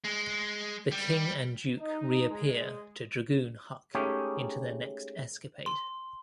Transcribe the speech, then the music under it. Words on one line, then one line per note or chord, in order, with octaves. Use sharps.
The King and Duke reappear to dragoon Huck into their next escapade.
G#3
G3
D#4
G#3
G#3 A3 C#4 D#4 G4 G#4
C6